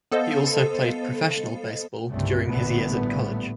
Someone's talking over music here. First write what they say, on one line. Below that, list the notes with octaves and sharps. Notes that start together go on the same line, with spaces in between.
He also played professional baseball during his years at college.
B3 A4 C5 D#5 F5
G1 C2 G2 C#3 A3 C4
A1 G2 A#2 D3 A3 B3